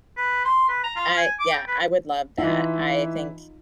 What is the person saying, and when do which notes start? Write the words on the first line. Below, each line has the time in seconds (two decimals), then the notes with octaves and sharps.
uh, yeah, I would love that. I think,
0.17 B4
0.45 C6
0.69 B4
0.83 A#5
0.96 F4
1.17 G#5
1.40 D6
1.52 G5
1.67 B4
2.38 E3 D#4 F4 E5